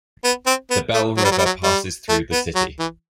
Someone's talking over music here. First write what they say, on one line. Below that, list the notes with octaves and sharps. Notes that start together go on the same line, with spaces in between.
The Belle River passes through the city.
B3
C4
B3
A3
F#3
G3
F#3
G3
F#3
G3
A3
B3
F#3
E3